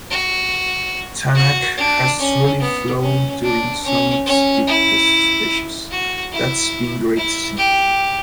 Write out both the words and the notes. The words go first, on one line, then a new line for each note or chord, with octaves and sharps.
Tänak has truly flown during some of the speed test stages, that’s been great to see.
F#4
F#4
D4
C#4
B3
C#4
D4
C#4
C#4
E4
F#4
E4
E4
G4